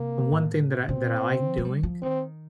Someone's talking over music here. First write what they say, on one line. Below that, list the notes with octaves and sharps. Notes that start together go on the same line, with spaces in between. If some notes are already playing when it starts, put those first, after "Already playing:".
the one thing that I that I like doing
Already playing: C3 A#3
A2
A#2 C4
F3
A3
G3
F3
D#3 C4